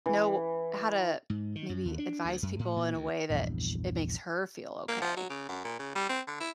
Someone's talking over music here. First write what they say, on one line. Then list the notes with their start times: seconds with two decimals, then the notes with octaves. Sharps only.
know how to, maybe, advise people in a way that sh it makes her feel okay.
0.06 E3
1.30 G#2
1.55 D#3
1.69 F#2
1.85 D#2
1.99 D4
2.25 D2
2.42 F#2
2.59 A2
2.76 A#2
2.94 D2
3.30 A#1 E2 G2
4.88 A#3
5.02 F3
5.16 F#3
5.30 C#3
5.49 F#2
5.64 A#2
5.79 C#3
5.95 G3
6.09 C4
6.27 D3
6.40 E4